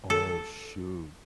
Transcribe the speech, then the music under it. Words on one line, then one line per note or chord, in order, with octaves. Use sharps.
Oh, shoot.
A4